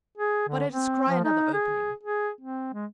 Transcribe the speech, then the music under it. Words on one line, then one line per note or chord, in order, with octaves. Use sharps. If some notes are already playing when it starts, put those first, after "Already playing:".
But I descry another opening.
G#4
D3
C4
F3
D#4
G#4
G#4
C4
G#3